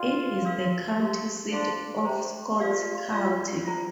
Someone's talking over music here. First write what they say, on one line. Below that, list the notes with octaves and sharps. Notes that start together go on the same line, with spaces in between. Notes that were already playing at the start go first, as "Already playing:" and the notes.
It is the county seat of Scott County.
Already playing: F4 A#4 D5 G5 C6
D4 A#4 F5 C6
G4 A#4 F5 C6
D4 C5 F5 C6
G4 C5 A#5
F4 G4 D5 F5
F4 D5 F5 A#5
F4 C5 A#5